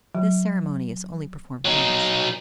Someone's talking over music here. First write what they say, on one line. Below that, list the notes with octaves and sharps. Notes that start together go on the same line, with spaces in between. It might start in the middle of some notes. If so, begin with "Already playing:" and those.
This ceremony is only performed once.
F#3
F#3 D#4